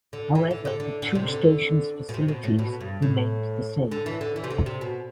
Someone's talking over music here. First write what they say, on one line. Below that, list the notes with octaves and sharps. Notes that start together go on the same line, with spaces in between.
However, the two stations' facilities remained the same.
D3
E3
D3
D3
D3
D3
C3
D3
B2
C3
B2
A2
B2
G2
A2
D3
E3
D3
E3
C3
D3
C3
B2